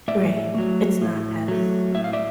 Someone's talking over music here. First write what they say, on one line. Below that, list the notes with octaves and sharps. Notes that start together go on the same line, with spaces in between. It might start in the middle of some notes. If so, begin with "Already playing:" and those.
Right. It's not as, you know,
A2 D5 E5
F#3 A3
A2
F#3 A3
A2 E5
F5
D5 E5